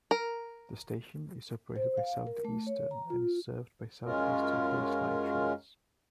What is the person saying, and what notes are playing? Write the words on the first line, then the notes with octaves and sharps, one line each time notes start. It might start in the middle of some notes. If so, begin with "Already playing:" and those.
The station is operated by Southeastern and is served by Southeastern Hayes line trains.
A#4
C5
F5
A#4
A3
C#5
A#5
F4
F#2 G#3 C#4 F4 A#4